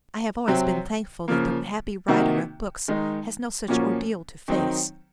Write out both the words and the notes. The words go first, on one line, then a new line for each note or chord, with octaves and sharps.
I have always been thankful that the happy writer of books has no such ordeal to face.
C3 F#3 C4
C#3 F3 A#3
C3 D#3 A#3 D#4 F#4
D#3 G#3 D#4
A#2 F3 A#3 C#4 F#4
D#3 F#3 C4 D#4